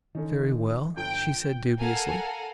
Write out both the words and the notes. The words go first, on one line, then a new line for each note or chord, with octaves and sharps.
"Very well," she said dubiously.
D3 D#3 C#4 D#4
G1 F3 G5 G7
A4 A#4 F5 F#5 G#5 A#5